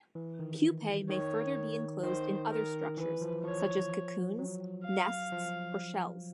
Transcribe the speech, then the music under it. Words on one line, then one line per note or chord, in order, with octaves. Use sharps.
Pupae may further be enclosed in other structures such as cocoons, nests or shells.
E3
D#3
D#3 C#5
D#3 C5
A#4
E3 B4
F3
F3 C#5
F#3
F5
F3